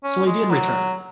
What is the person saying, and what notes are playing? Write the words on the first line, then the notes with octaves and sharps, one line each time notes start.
So he did return!
C#4
G#3
F#3